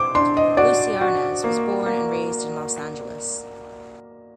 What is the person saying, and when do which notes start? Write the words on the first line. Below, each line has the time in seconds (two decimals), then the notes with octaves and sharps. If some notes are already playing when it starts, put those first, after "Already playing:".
Lucie Arnaz was born and raised in Los Angeles.
Already playing: C5 D6
0.15 D4 C6
0.37 D#5
0.57 F#4 D5
1.01 F#4
1.44 A#3
1.86 A#3